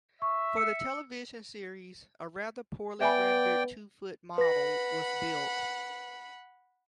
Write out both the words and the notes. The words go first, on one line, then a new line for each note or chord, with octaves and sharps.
For the television series a rather poorly rendered two-foot model was built.
E5 C#6
E6 C#7
B3 D5 E5 G5 G#5 B5
B4 F#5 B5 A#6